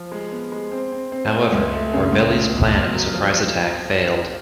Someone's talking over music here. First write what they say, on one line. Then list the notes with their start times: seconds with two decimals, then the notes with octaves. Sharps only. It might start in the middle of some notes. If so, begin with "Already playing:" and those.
However, Orbeli's plan of a surprise attack failed.
Already playing: F3
0.12 G#3
0.32 B3
0.52 G#3
0.72 C4
0.92 C4
1.12 C4
1.33 A3
1.52 C#2
1.73 A3
1.93 C#3
2.13 C#2
2.34 A2
2.53 B1
2.74 B1
2.94 F#3
3.14 F3